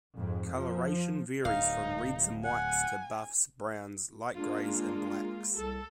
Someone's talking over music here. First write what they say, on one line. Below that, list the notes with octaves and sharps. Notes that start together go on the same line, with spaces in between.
Colouration varies from reds and whites to buffs, browns, light greys, and blacks.
F2 G#2
F3
D1 D#4 F5
F#5 G#5
G#3 A#3 D4 F4
C2 A4